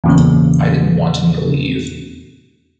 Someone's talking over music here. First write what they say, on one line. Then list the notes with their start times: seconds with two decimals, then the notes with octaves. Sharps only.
I didn’t want him to leave.
0.04 E2 A#2 C#3